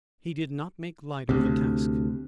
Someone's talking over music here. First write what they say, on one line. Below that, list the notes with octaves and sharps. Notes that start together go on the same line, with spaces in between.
He did not make light of the task.
D2 C3